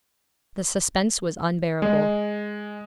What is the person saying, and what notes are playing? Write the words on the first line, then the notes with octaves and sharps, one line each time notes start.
The suspense was unbearable.
G#3